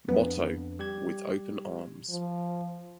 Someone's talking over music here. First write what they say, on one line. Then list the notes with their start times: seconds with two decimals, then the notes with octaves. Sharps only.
Motto: With Open Arms.
0.08 F2 B3 D4
0.79 G3 G4 G#6
2.09 F3